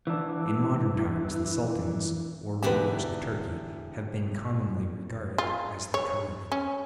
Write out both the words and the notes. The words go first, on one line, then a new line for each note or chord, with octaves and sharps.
In modern times the sultans or rulers of Turkey have been commonly regarded as the caliphs.
E3 D4
E1 E2 D3 G4 B4 E5 G#5
F4
C#5
C#4